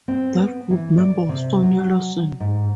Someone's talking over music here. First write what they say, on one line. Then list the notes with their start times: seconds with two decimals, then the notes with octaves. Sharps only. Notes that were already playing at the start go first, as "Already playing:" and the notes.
That group member was Sonya Larson.
0.08 C4
0.35 B3
0.70 E3
0.97 D5
1.29 C3
1.62 F#3
2.40 G#2